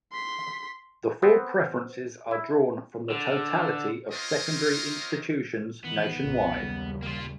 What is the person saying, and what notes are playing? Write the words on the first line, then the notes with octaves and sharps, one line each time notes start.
The four preferences are drawn from the totality of secondary institutions nationwide.
C6 B6
B3 C4
E4
D3
C4 C#4 F4 A#4 C5 D#5
D#3 E3 B3
B1 F#2 A#2
D#2 C#3 G3
A#3 F4